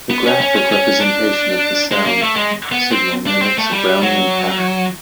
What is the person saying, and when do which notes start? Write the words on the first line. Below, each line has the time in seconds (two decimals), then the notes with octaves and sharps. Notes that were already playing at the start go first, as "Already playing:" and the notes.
The graphic representation of the sound signal mimics a Brownian pattern.
0.10 B3
0.26 C#4
0.41 C#4
0.56 C#4
0.71 C#4
1.01 D4
1.92 G#3
2.06 A#3
2.22 A3
2.36 G#3
2.72 B3
2.92 C4
3.27 D4
3.42 C4
3.58 A3
3.73 G3
4.03 F#3